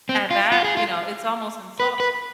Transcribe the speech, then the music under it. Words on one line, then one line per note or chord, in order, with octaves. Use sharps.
at that, you know, it's almost insulting.
C4
F4
F4
G#4
F4
B4
B4